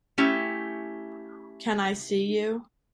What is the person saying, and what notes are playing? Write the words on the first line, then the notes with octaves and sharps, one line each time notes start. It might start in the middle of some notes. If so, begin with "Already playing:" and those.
Can I see you?
A3 C#4 E4 G4